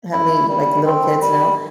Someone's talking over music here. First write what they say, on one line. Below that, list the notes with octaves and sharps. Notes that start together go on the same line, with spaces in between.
have any, like, little kids now,
E4
G3
C4
G3